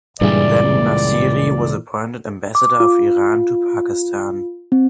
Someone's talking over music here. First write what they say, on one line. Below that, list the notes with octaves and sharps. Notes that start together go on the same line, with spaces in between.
Then Nassiri was appointed ambassador of Iran to Pakistan.
C#2 G2 A#2 E3 G3 G#4 D5
D6
F4
C4